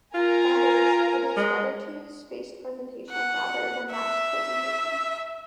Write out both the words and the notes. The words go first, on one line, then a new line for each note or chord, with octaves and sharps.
That is, it is better to use spaced presentation rather than massed presentation.
F4 A#4 G#5 A#5
G#3
F#5
E5